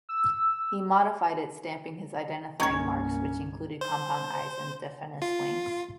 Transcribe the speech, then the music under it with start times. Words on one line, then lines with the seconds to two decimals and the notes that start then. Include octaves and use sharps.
He modified it, stamping his identifying marks, which included compound eyes and diaphanous wings.
0.09 E6
2.60 C2 G2 G#3 A#3 C#4 C#5 C#6 G#6
3.81 C5
5.22 F4